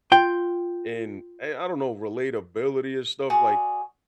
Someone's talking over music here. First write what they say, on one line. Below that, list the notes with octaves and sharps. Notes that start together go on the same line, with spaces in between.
in a I don't know, relatability and stuff, like,
F4 G5
F#4 G#4 D5